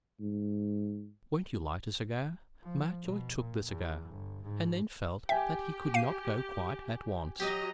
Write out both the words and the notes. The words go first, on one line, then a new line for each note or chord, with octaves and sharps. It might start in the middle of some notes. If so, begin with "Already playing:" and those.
"Won't you light a cigar?" Mountjoy took the cigar, and then felt that he could not go quite at once.
G#2
F3
B2
A#2
E2
G1
G#2
G4 E5 G5 G#5
F5 C7 D#7
F#3 G4 D#5 A#5